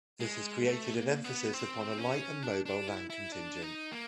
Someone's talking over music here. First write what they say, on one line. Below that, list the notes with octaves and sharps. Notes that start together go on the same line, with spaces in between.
This has created an emphasis upon a light and mobile land contingent.
G#3
A3
A#3
B3
C4
C#4
D4
D4
E4
E4
D4
D#4
A#3